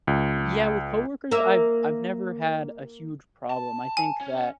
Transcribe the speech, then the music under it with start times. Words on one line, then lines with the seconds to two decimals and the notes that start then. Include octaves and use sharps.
Yeah, with coworkers, I've I've never had a huge problem. I think that
0.07 C#2
1.31 A#3 E5
3.50 A5
3.97 G#5
4.21 C#4